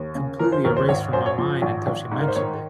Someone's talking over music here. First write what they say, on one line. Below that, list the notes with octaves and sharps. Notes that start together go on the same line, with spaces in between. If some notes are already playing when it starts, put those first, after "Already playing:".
completely erased from my mind until she mentioned it.
Already playing: D#2
C#3
F3 A#4
C5
D#2 A#4
C5
G#1 C#5
F#2 C5
C#5
F3
G#1
G#1
G#2
A#4
C5
D#3 C#5